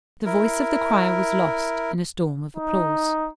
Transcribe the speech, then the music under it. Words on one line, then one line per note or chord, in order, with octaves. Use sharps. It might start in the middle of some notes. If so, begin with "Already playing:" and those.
The voice of the crier was lost in a storm of applause.
E4 A#4
D#4